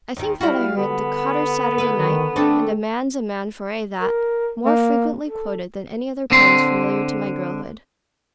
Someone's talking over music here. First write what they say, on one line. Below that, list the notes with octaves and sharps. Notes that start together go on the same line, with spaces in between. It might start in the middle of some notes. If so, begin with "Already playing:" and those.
I think that I heard the "Cotter's Saturday Night" and "A man's a man for a' that" more frequently quoted than any other poems familiar to my girlhood.
D#2 D#3
G3 E4 F#4 F5
D3 B3
E4 B4
D#3
A3 C4 D4 A4
A#4
A#3
A4
D3 C4 C6